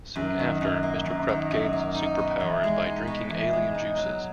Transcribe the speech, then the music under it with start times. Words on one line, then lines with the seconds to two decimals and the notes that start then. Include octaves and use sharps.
Soon after, Mr. Krupp gains superpowers by drinking alien juices.
0.16 F#2
0.39 D#3
0.61 F#2
0.83 A#3
1.06 F#2
1.29 D#3
1.51 F#2
1.73 A#3
1.95 D#4
2.19 B2
2.40 E2
2.64 G#3
2.86 D#4
3.07 B2
3.30 E2
3.53 G#3
3.74 D#4
3.97 F#3